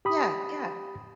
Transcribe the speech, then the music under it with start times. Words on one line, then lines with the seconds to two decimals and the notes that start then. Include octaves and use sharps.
Yeah, yeah.
0.05 G4 B5 D#6